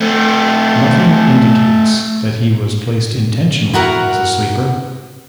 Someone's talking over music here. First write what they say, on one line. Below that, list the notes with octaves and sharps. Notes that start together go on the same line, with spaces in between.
Nothing indicates that he was placed intentionally as a sleeper.
A3 C4
E4 F#4 A#4 F#5